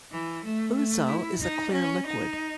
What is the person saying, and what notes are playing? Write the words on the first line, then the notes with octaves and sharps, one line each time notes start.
Ouzo is a clear liquid.
E3
A3
A3
E4
D#4
C#4
D#4